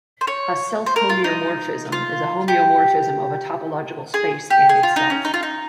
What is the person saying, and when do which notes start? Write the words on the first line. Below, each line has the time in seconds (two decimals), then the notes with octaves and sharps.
A self-homeomorphism is a homeomorphism of a topological space and itself.
0.21 C5
0.27 C#5
0.86 C5
0.96 A#4
1.10 F4
1.24 D#4
1.92 F4
2.48 G4
4.14 G#4
4.50 G4
4.69 G#4
4.83 F4
4.96 D#4
5.10 C#4
5.25 D#4
5.34 F4
5.43 D#4